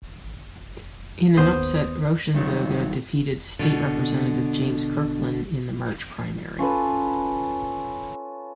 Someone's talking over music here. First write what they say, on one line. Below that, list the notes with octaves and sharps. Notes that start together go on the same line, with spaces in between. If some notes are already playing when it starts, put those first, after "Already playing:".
In an upset, Rauschenberger defeated State Representative James Kirkland in the March primary.
D#2 B3 C5 D#6
G2 D#3 F#3
B2 D3
C#4 F4 A4 B4